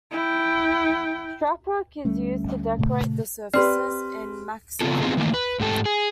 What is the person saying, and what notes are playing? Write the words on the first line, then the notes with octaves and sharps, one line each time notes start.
Strapwork is used to decorate the surfaces in Mexuar.
E4 G5
D2 G3 A3 C#4
A#2 C#3 A3
C4 G4 B4 D5 C6 F6
C#3 B3 C4 F4 A4
B3 C4 D#4 F4 G#4
D#3 E3 A3 A#3
B4
G#2 A3 G4 A4
G#4